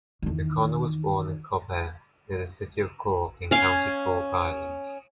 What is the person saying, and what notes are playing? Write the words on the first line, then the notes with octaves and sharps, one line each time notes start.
O'Connor was born in Cobh, near the city of Cork, in County Cork, Ireland.
E2 D#3
C#4 F5 G#5